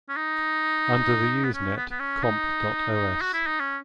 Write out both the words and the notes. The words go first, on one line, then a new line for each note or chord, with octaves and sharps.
Under the Usenet comp.os.
C#4
D#4
B3
C#4
B3
B3
C#4
D#4
F#4
E4
D#4
C#4